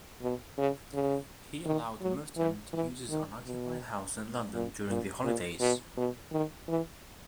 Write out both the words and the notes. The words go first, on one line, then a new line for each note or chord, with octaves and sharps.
He allowed Merton to use his unoccupied house in London during the holidays.
B2
C#3
C#3
D#3
F#3
E3
E3
D#3
B2
A#2
A#2
A#2
B2
B2
D#3
E3